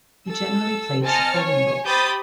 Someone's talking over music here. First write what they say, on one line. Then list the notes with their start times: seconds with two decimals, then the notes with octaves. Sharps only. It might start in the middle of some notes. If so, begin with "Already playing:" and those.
He generally played supporting roles.
0.28 A4 E6
1.03 C4 D#5 G#5 A5 F6 C#7
1.34 C#5 G#5
1.86 G4 C5 B5 D#6 G6 A6